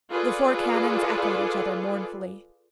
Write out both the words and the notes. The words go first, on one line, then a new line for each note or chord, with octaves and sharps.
The four cannons echoed each other mournfully.
F4 G#4 A4 B4 D5